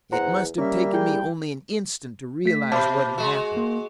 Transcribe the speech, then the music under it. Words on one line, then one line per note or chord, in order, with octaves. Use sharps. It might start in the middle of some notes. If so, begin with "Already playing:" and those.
It must have taken me only an instant to realize what had happened.
E2 C5 F#5 A#5
G3 A#3 C#4 E5
E4 G#4 G5
A3 B6
B2 A5 B5
G#3 F#4
A#3